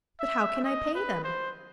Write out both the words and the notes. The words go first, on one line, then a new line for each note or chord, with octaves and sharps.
"But how can I pay them?"
E5
D#5
B4
C5